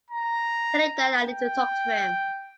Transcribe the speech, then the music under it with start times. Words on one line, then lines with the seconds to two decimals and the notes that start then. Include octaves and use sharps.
Tell him that I need to talk to him.
0.11 A#5
1.23 G5